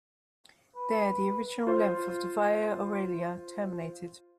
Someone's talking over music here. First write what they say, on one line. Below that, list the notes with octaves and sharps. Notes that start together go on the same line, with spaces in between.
There the original length of the Via Aurelia terminated.
B4
F4 C5